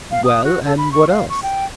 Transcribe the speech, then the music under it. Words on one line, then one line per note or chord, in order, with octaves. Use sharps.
"Well--and what else?"
F5
D#6
F#4
A4
B5
C#6
F5
C#6
G5